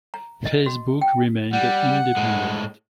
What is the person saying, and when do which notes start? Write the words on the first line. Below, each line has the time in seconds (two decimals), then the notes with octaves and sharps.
Facebook remained independent.
0.14 A#5
0.45 D#5
0.66 F#4
1.01 G5
1.53 G3 F#5
2.17 A2 G#3